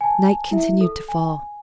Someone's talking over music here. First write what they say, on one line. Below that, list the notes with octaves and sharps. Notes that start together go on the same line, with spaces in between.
Night continued to fall.
G#5 A5
E4 E5
A4
G#5